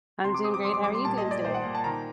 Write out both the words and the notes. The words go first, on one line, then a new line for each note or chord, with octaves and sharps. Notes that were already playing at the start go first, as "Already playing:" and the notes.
I'm doing great. How are you doing today?
C3 C6
D6
C4 D#6
D6
G3 C6
D6
G3 D6
C6
A#2 A5
D#5
A#2
D5
A#2 C5
F#5
A#2
A5
D#3 A#5